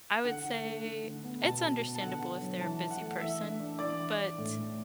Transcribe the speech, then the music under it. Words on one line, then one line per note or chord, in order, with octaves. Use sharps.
I would say it's understandable if they're a busy person, but
D3 F#5
D3
A3
D3
D3
B3
B2 A5
B2
B3
A5
D3 F#5
D3
F#3
E3 A5
E3
F#5
A3
E3 E5
D4
D4
E3 D5
D4
D4
A2
A2